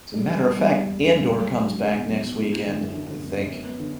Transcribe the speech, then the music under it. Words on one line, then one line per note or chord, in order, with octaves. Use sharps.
As a matter of fact, Andor comes back next weekend, I think.
G3
G3
B2
G3
B2
E1
G3
G3
C#2
F#3
F#3
F#3
C#2
B2
F#3
B2
E4
E4
D3
F#2
D3
D3
F#2
F#2
B3
B3
D3